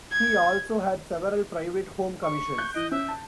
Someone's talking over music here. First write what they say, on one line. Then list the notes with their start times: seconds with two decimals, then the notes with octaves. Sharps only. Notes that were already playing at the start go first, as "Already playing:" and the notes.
He also had several private home commissions.
0.11 G#6
2.22 C#6
2.58 F#6 G6
2.74 E3 D#5 D7
2.91 C#4 E5
3.08 A5